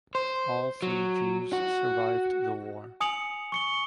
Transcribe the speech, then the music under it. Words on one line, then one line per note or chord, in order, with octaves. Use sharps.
All three Jews survived the war.
C5
F#3
F#4
G#5 D#6 C#7 F7 F#7
C#6 C#7 G7